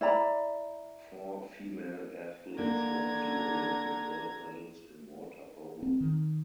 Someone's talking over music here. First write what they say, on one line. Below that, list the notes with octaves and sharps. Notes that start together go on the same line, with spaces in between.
Four female athletes won two Olympic gold medals in water polo.
E4 D5 A#5 B5
D3 A#3 A#5 G#6
C4
D#3